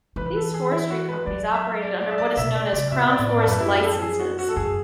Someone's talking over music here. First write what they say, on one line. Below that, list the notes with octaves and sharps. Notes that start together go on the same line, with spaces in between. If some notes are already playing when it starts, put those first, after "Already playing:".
These forestry companies operated under what is known as Crown Forest Licences.
E3 B4
B4
A4
G#4
E4
F#4
B4
F#3 D5
E5
D5
D5
E5
D5
B2 E5
D5
C#3 D5
B2 E5
D5
A2
D5
A4
F#2 B4
E4
F#4
G#4
A4
G#4
F#4
F#4
A4
F#2 G#4